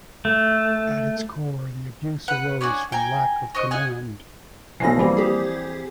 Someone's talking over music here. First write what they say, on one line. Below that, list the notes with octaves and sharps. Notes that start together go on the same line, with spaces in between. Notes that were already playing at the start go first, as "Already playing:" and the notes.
At its core, the abuse arose from lack of command.
A3
B4 F#5
C#4 D4 F#4 G#4
G5 G#5 A#5
F#4 C5 D#5
G#4 D#5 F#5 G#5
B1 E3 F3 B5 A#6 C7
E3 G3 A#3 C4
G4 G#4